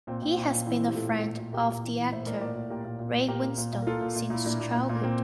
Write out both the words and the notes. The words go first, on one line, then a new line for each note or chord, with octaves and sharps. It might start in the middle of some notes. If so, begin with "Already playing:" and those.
He has been a friend of the actor Ray Winstone since childhood.
A#2 C4
A#2 C4
A#2
A#2
E3 C4 E4
E3
G4
A2 F4 A4
A2
A#2
A#2
A#2 G4 A#4
A#2
E3
E3
A2 C5 E5
A2 A#4 D5
A#2 A#4 D5
A#2
A#2 G4 A#4
A#2
A#2
A#2
A#2 G4 A#4
A#2
A#2
A#2
A#4
A#2 F4 A4
A#2
A#2
A#2 E4
A#2 A#3 D4
A#2
A#2
A#2
A#3
A#2 C4